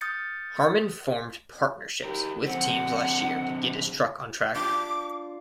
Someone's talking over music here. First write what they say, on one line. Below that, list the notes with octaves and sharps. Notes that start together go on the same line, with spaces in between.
Harmon formed partnerships with teams last year to get his truck on track.
D#6 F6 G6 A6 C#7
G4 A#4
D3 C4 F#5
D4 F4 D6